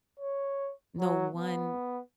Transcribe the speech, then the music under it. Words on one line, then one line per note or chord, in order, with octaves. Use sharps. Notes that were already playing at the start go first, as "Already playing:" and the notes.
no, one
C#5
F#3
B3